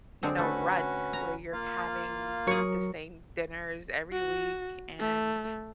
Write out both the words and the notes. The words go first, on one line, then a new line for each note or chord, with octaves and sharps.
you know, rut where you're having the same dinners every week and,
D3 G#3 C4
A3 C#4 F#4 B4
A#5
A#3 F4 F5
F#3 G#4 A#4 C#5 C#6
F#4
A3